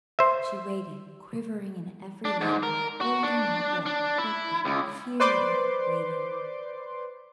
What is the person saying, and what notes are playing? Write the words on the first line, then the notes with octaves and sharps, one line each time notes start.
She waited, quivering in every limb, holding her breath--hoping, fearing, waiting.
C5 E5
D4
G#2
A#4
F#4
D4
D4
E4
C#2
B4 C5 D5 C6 D6